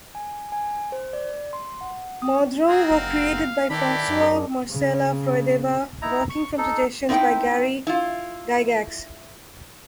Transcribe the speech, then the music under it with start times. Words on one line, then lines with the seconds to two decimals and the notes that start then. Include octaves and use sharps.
Modrons were created by Francois Marcela-Froideval, working from suggestions by Gary Gygax.
0.15 G#5
0.52 G#5
0.92 C5
1.13 D5
1.53 C6
1.81 F#5
2.22 D#6
2.68 C4 F#4 G#4 A#4
2.90 F#1 F5
3.70 D#3 E3 D4 G4 B5
4.08 F#2
4.19 G#4 A#4 D5
4.70 C#3
6.02 D#4 E4 A#5
6.30 C#6
6.58 D#4 A4
7.09 C4 D#4 E4 D5 G5
7.87 E4 F4